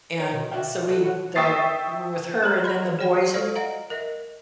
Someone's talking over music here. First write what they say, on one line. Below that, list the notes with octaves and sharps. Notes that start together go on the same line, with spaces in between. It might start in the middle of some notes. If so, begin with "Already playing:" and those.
And so we the were with her and then the boys
C#5
B2
F#4 B4 D5 E5 F5 G5
B1 C3 F#4 A4 C#5
E4 F#4 C#5 F5 F#5
E5 G5 C#6 D#6 A6 C7
G#3 G4 C5 A#5
D5 D#5 B5 C6
G#4 C#5 D5 G5 B5
G#3 F4 A4 C5 D5 F5
D#5 F5 F#5 A#5
A#4 D#5 E5